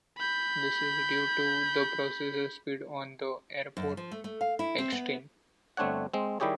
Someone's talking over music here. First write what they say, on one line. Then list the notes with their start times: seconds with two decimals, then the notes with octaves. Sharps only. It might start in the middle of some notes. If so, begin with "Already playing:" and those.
This is due to the processor speed on the AirPort extreme.
0.18 B5 G6
3.77 F#2
3.97 F3
4.11 A3
4.24 A3
4.41 F5
4.59 E4
4.78 C4
4.92 B3
5.77 G1 A3 C4 D4 C#5 F#5
6.14 G#3 C4
6.40 D#3 G3 E4 G4 G#4 C#5